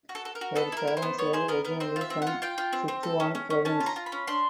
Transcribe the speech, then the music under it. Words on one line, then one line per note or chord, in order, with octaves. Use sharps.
Her parents were originally from Sichuan Province.
F#4
A4
A4
A#4
F#4
B3 A4
E4 A#4
E4
C5
B3
B3 C#5
G#4 C5
B3 A#4
B3 A#4
C4 C5
F4
E5
C4
F4 F#5
F4 G5
F4
C4
C4
A4
C#4
C#4
C#4
C#4 A5
F4
A#5
F4
B5
C#4
D4 C6